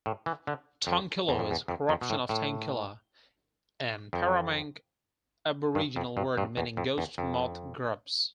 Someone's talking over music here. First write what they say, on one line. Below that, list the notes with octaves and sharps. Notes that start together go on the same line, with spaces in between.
Tungkillo is a corruption of "tainkila", an Peramangk Aboriginal word meaning "ghost moth grubs".
A2
E3
D3
F2
E2
F2
E2
F2
F2
B2
A2
A2
F2
G2
F2
G2
G2
E2
F2
E2
F2